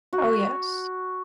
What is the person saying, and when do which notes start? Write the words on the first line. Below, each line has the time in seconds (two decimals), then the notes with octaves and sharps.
Oh yes.
0.13 F#4